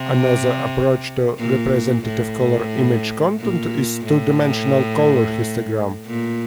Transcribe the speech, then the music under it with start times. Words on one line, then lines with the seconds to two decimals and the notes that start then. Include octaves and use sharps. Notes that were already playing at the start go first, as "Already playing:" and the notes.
Another approach to representative color image content is two-dimensional color histogram.
Already playing: C3
1.38 A#2
2.06 A2
3.39 A#2
4.06 A2
6.07 A#2